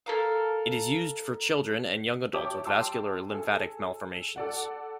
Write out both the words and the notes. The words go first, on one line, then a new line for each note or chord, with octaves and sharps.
It is used for children and young adults with vascular or lymphatic malformations.
A4 A#4 F5
G4 C#5 E5 A5 D6
G5 A5 C6 D6 E6
G#4 A4
A4 D5 F#5